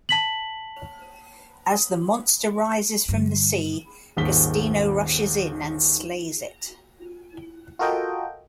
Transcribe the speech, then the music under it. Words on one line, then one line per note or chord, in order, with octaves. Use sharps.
As the monster rises from the sea, Giustino rushes in and slays it.
A5 B6 F#7
G2 D3
D#1 G#1 D#2 G#2 B6 G7
F4 F#4 A4 A#4 D#5 G5